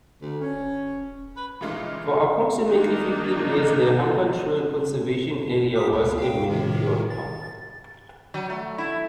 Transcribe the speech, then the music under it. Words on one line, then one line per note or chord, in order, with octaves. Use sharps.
For approximately fifteen years the Humber Trails Conservation Area was a manicured Park.
D2
C#4
B4
A#2 C#3 E3 G#3 D#4 F4
D#3 A#3 D4 D#4
D6 D#6 B6
D2
F5 G5
A2 C3 D#3
A6
F#3
A3
E4